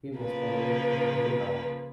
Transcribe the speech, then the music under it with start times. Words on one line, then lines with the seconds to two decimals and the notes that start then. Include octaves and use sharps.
He was buried in Wildau.
0.19 C#3 F3 A#3 B4